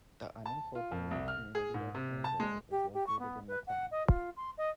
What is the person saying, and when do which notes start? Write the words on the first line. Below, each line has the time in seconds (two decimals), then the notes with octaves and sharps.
The unincorporated community of Angelo is located in the town.
0.46 A5
0.75 F4
0.92 F2
1.11 C2
1.28 F6
1.55 G#4
1.74 G#2
1.95 C3
2.24 A5
2.40 G#3
2.70 G4
2.94 G4
3.06 C#6
3.19 B3
3.48 B4
3.67 F#5
3.91 D#5
4.07 F4
4.36 C6
4.58 D#5